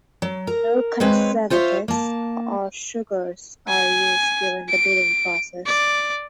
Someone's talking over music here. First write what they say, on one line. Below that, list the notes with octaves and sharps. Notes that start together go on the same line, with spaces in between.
No conservatives or sugars are used during the brewing process.
F#3
A#4 A#5
G#3 C4 B4 C#5
F4 C5 C#5 E5 F5
A#3 A5
G#5
D7
D5